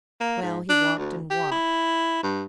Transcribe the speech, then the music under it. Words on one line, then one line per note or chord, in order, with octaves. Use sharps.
Well, he walked and walked.
A#3
G#2
D4
D2
G4
E4
G2